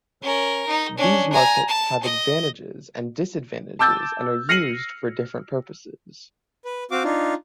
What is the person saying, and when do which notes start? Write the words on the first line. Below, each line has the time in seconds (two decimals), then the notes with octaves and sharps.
These markers have advantages and disadvantages and are used for different purposes.
0.22 C#4 A#4
0.68 D#4
0.97 C#4 D4
1.33 G#5 A#5
1.69 A5
2.03 D#5
3.79 A5 D6 E6 G6 A6
4.49 F6 A#6 C7 C#7 D#7 F#7
6.65 B4
6.91 C4 F#4 F5 D6
7.04 D4 D#4 F4